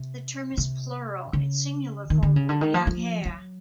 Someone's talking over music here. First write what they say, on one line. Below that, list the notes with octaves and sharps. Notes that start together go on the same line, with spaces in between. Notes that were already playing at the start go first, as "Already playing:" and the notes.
The term is plural; its singular form would be "aoghair".
Already playing: C3
C3
C#3
D#3
D3
C#3
D3
D#3
F3
F3
F#3